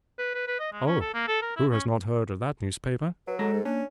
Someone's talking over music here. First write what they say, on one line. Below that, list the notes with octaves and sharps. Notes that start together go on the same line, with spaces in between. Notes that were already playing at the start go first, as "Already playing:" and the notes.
"Oh--who has not heard of that newspaper?"
B4
B4
B4
D#5
G#3
C#4
A4
A#3
A4
A#4
E4
C#4
F#3 B4
G#3 A4 A5 A#5
G#2
A#3 C#4 D4